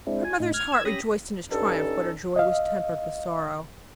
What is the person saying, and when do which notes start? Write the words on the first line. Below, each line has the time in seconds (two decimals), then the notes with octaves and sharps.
Her mother's heart rejoiced in his triumph, but her joy was tempered with sorrow.
0.07 G#3 C4 D4 E4
0.25 G#5
0.40 A2 D#4
0.54 F6 G#6
0.72 E6 G#6
0.85 C#4 G4 B5 D#6 A#6
1.51 G2 C#4 D#4 A4
2.36 D#5 F5